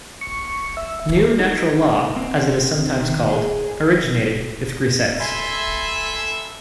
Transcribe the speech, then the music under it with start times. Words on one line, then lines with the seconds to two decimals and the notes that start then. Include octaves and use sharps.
"New Natural Law" as it is sometimes called, originated with Grisez.
0.21 C#6
0.77 E5
1.39 D#4
2.16 C4
2.99 D#3
3.29 G#4
5.20 A4 E5 G#5 B5 C6